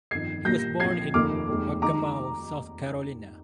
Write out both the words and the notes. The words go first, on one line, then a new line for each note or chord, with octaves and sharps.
He was born in Waccamaw, South Carolina.
G1 F2 D#3 G#6 C7
A#1 A#2 G3 A#3 G6 A#6
A#1 A#2 F3 C4 G#6 C7
F1 D#2 D#3 A#3 D6 F6
F1 D#2 D#3 G#3
D#3 G#3 D#4 A#5 D6